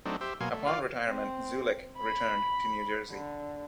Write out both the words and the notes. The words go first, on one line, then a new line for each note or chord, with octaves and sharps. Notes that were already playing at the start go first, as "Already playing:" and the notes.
Upon retirement, Zulick returned to New Jersey.
F#3 A3 C4 D4 D#4
G4 C5 E5
B2 F#3 A#3 F5 G#5 C6
A3
F4 D5 F5
C4
B5
D3